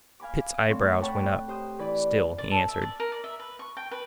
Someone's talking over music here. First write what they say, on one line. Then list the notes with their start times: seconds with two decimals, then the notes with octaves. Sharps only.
Pitt's eyebrows went up; still he answered.
0.20 F5 G#5 B5 D6
0.70 A2 C4 C#5 C6
1.01 C#5 F#5 G5 A5 B5 D6
1.48 G4 C5 D#6 G6
1.79 E3 E4 B4 D5
2.38 D5
2.51 A4
2.68 E5
2.82 D5
3.00 A#4
3.12 D5
3.24 E5
3.40 B4
3.59 C#6
3.77 G5
3.91 B4